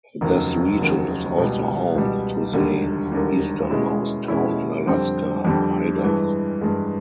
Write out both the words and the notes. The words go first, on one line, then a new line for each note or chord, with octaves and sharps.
This region is also home to the easternmost town in Alaska, Hyder.
F1 D#2 C#3 F#3
F1 D#2 C#3 F#3
C#2 B2 G3
C#2 B2 G3
E1 D#2 D3 G3
E1 D#2 D3 G3
B2 G#3 C#4 E4
B2 G#3 C#4 E4
F2 D3 G3 C4
F2 D3 G3 C4
G2 E3 G#3
G2 E3 G#3